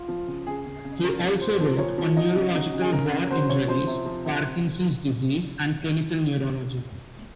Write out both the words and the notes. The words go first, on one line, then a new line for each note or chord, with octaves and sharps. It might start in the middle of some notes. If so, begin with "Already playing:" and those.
He also wrote on neurological war injuries, Parkinson's disease, and clinical neurology.
Already playing: F4
F3
C#3
C#3 G#4
C#3
C#3
C#3 A#4
F3
A#2 C5
F3
A#2 C#5
F3
F#3 D#4
C#3
F#3 D#4
C#3
G#4
C#3 A#4
C#3
A#4
F#3 C5
C#3 C#5
F3 C5
C3
F3
C3